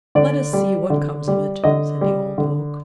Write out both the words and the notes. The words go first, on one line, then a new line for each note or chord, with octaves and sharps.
"Let us see what comes of it," said the Old Oak.
D3 D5
G3
D3
G3
D3 D#5
G3
D3